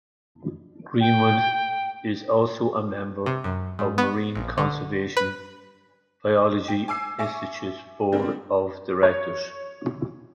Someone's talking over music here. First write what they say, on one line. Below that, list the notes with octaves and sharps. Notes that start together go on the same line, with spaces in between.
Greenwood is also a member of Marine Conservation Biology Institute's Board of Directors.
G5
C3
F#2
G#2
B3
A#1
D3
B4
G5
G#5 D6 E6 C7
E5 G#5 C#6 D6
D3 G3 G#3 A#3 C4
C#5